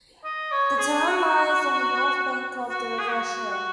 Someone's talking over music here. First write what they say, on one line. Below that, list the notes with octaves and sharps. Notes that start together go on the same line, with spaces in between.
The town lies on the north bank of the river Cher.
D#5
C#5
G#4
F#4
F#4
G#4
F#4
F#4